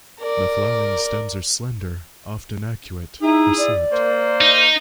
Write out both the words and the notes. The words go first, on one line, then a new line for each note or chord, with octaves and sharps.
The flowering stems are slender, often arcuate, hirsute.
A#4 D5
D#4 E4 G#4 E5
D5
A#3 C5
D#4